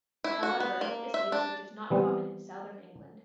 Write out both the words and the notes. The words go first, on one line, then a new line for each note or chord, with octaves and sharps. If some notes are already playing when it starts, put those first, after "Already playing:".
However this usage is not common in southern England.
E4
F#4
B3
A#3
E5
D4
E3 G3 B3 C4